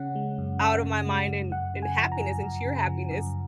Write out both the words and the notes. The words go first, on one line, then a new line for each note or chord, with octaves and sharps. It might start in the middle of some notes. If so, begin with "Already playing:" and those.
out of my mind, and and happiness, and sheer happiness.
Already playing: C#3 C#4 F#5
G#3
F#2
C#4
C#3
G#3
F#2
F#2 F#5
C#3
G#5
F3
A#5
F#2
F#2
C#3
F3
F#2